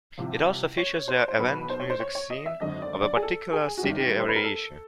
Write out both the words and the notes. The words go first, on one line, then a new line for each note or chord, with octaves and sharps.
It also features the avant music scene of a particular city every issue.
C2 C3 F3
C#5
C5
C5
B1 B2 F#3 B4
C5
C#5
C5
C#5
C#5
D#5
E5
G#1 F#2 D3 D#5
D5
D5
G#4
A4
G#4
F#4
G1 G2 D#3 G3 G4
C5
B4
A#4
A4